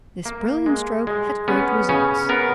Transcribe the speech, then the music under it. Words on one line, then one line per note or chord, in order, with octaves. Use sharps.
This brilliant stroke had great results.
A#3
G#3
G#3
B3 C#4
C#3 C#4
B3 A#4